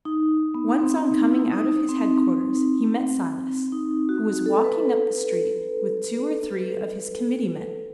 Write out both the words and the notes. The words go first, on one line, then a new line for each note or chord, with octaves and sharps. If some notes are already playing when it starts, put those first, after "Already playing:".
Once on coming out of his headquarters he met Silas, who was walking up the street with two or three of his committee-men.
D#4
B3
C4
D#4
D#4
E4
D#4
C4
D#4
F#4
A4
B4